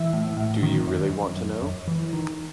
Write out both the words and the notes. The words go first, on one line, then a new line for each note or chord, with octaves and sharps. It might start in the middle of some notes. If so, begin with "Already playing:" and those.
Do You Really Want To Know?
Already playing: E3 E5
A2
A2
D#3
F#2
F#2
F#2
F#2
E3
D#3